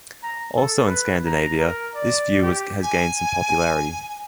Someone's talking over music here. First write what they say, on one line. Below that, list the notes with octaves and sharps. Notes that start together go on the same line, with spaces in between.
Also in Scandinavia, this view has gained some popularity.
A#5
A4
B4
A#5
A#4
D5
G4
G#5